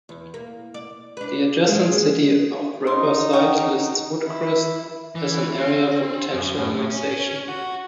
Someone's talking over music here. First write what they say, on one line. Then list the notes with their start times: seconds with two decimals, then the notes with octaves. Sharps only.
The adjacent city of Riverside lists Woodcrest as an area for potential annexation.
0.09 E2
0.34 A#3
0.74 D5
1.17 D4 B4
1.67 G#3 A#3 G#4
2.87 D#4 C6
3.33 F#5 G5 C#6
4.25 E4
5.15 E3
5.55 C4
6.33 F#2
6.58 A2
6.89 C#4
7.48 F#4